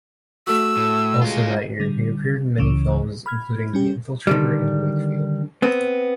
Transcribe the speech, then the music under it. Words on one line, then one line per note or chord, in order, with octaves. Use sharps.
Also that year, he appeared in many films, including "The Infiltrator" and "Wakefield".
A3 F#4 E6
A2
G#3 F4
D3 G3
C#2 C#3 E3
B5 F6 G#6
G3 C#4 G4
D3 D#3 G3
B3 C4